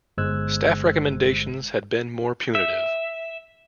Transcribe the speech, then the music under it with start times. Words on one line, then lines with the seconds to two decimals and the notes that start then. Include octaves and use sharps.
Staff recommendations had been more punitive.
0.18 G1 G#3 C5 E6 F#6 G#6
2.55 E5